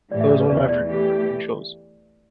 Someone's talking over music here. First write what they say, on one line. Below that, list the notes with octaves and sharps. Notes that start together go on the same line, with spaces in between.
that was one of my favorite cartoon shows.
A2 E3 A3 G4 D5
E5
D5
B4
E2 B2 A3 D5
D5
E3 A3 G4